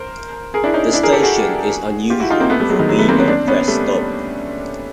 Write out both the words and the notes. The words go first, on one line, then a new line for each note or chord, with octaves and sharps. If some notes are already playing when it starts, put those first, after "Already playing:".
The station is unusual for being a request stop.
Already playing: A#4 C5
G#4 A#4
D4 E4
C#4 D#4
D4 E4
G#4 A#4
G4 A4
F#4 G#4
F4 G4
E4 F#4
D#4 F4
A#3 C4
A3 B3
G3 A3
F#3 G#3
D#3
F#3 G#3
A3 B3
A#3 C4
B3 C#4
C4 D4
B3 C#4
G3 A3